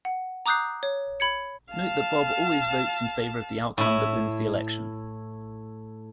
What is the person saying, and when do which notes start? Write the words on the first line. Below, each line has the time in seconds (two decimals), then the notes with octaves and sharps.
Note that Bob always votes in favor of the outcome that wins the election.
0.05 F#5
0.46 A#5 D6 D#6 F#6 G6 C7
0.83 C#5
1.20 B5 G#6 C#7
1.73 F5 A5
3.78 A2 E4